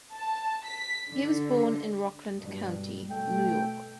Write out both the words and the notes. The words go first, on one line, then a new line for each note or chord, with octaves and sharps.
He was born in Rockland County, New York.
A5
B6
D3
G2 B2 G3
B2 A3 G5